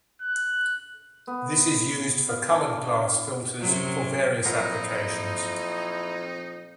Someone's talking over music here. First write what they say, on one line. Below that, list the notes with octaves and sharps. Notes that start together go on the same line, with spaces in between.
This is used for colored glass filters for various applications.
F#6
B3
F5
D4
F#2 C3 F#3
F2 A#2 F#3 D#4 E4 A#4 D#5 A#5